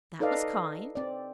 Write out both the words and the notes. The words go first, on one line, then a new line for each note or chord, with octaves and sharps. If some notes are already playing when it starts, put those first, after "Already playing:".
"That was kind."
D#4 A4 B4 D5 D#5 F5
C4 D5